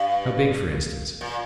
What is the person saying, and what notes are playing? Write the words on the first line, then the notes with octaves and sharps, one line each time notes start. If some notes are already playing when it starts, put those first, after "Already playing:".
"How big, for instance?"
Already playing: G2
A#2